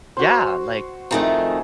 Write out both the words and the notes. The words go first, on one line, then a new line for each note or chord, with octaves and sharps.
Yeah, like
F#4 C5
F2 D#3 A3 D#4 G#4 D#5